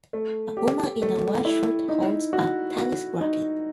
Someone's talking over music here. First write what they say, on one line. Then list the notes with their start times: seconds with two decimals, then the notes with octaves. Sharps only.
A woman in a white shirt holds a tennis racket.
0.13 A3
0.57 G4
1.02 A3
1.45 E4
1.89 D#4
2.33 F#4
2.77 F#4
3.21 D#4